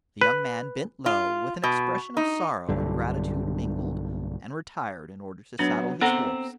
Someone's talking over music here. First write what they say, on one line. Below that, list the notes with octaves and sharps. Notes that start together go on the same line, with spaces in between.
The young man bent low, with an expression of sorrow and gratitude mingled, and retired in order to saddle his horse.
B4
F4
B2
D#4
B1 G2 D3
F#3 B3 D4
B3 C4 A4 F#5 A#5